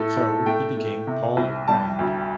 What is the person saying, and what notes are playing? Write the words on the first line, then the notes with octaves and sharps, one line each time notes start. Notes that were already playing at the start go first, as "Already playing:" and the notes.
So he became Paul Rand.
Already playing: A2 A4
A2
A3 G5
A3
C3
C2
G3 A5
D2